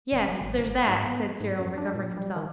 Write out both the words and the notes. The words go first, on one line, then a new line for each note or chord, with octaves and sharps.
'Yes, there's that,' said Cyril, recovering himself.
F1
F#3
G#1
G1
G#2
B3
G#2
F#2
D4
A#2
G3
D#3